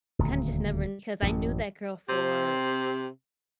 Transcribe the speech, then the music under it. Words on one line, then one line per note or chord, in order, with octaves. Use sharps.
kinda just never kn 'Cause I knew that girl for
D#1 D2
A1 F#2
C3 C4 G4